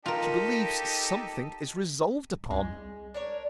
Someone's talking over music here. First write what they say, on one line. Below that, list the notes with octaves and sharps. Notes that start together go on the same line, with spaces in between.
She believes something is resolved upon.
D#4 F4 G4 A4 A#4
C2 G#3
D4 A#4 C#5